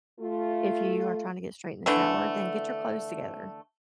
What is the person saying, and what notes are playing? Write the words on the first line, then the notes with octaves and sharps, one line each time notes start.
if you are trying to get straight in the shower, then get your clothes together.
A3 F4
D3 E3 A3